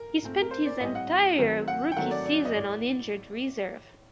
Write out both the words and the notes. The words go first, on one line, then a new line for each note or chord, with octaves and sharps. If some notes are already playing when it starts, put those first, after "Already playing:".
He spent his entire rookie season on injured reserve.
Already playing: A#4
A#2 A3 C4
A#4
C5
D5
A2 G3 C4 D#5
F#5
D#3 F#3 C4
F#5
G5
D#3 F#3 A3 C4 F#5
D5
D5
D#5
A2 D5